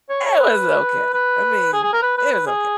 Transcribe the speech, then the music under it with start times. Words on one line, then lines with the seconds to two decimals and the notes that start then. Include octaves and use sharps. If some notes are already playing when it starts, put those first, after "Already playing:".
It was okay, I mean, it was okay,
0.09 C#5
0.25 C#5
0.39 B4
1.14 B4
1.73 G#4
1.83 G#4
1.93 A#4
2.02 B4
2.17 B4
2.32 B4
2.47 G#4